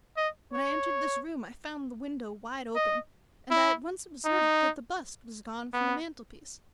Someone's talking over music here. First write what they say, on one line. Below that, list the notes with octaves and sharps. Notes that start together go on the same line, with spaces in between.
When I entered this room I found the window wide open, and I at once observed that the bust was gone from the mantelpiece.
D#5
C#5
D#5
E4
D#4
B3